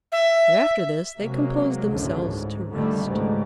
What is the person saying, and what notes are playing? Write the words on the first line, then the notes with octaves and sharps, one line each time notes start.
And after this they composed themselves to rest.
E5
C3 F#3 G#3 A#3
G#1 C#2 F#2 A2 D3
G#2
F2 D3 D#3 G3 A3
C#2 G#2 G3 A3